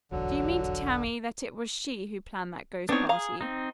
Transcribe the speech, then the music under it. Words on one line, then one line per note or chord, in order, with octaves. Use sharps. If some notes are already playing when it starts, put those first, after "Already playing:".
"Do you mean to tell me that it was she who planned that ghost party?"
F1 B1 E2 D3 F#3
B3 C4 D4 D#4 C#5
G#4 F5 A#5
C4 D#4